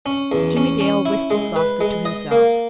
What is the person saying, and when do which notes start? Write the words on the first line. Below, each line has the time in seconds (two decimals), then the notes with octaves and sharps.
Jimmie Dale whistled softly to himself.
0.06 C#4
0.32 E2
0.57 C#4
0.81 C#4
1.06 E4
1.31 G#3
1.56 B4
1.81 G#3
2.05 D#5
2.31 A#3